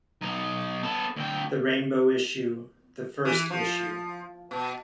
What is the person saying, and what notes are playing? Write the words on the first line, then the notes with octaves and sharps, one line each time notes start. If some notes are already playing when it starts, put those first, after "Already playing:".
"The Rainbow Issue", "The First Issue".
B1 D#4
B3 A4
D2 G5
E3
F3
B2